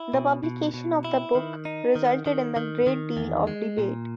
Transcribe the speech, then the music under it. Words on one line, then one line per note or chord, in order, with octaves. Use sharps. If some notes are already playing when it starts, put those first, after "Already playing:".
The publication of the book resulted in a great deal of debate.
Already playing: E4
B2
B2
B2
E4
D#3
D#4
D#3
D#3
D#3
D#3
E2
G#3
A#2